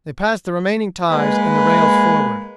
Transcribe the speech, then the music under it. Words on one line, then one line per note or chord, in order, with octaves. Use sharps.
They passed the remaining ties and the rails forward.
G#3 A#3 B4